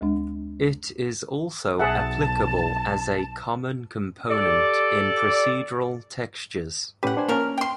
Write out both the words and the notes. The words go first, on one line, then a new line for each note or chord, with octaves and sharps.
It is also applicable as a common component in procedural textures.
D2 G#3 D4
B1 G#4 E5 F#5 A5
G4 A4 D5
A2 C#4 G4 B4 F#5
D4 C5 G#5
F3 A#3 C#4 A#4
G5 C6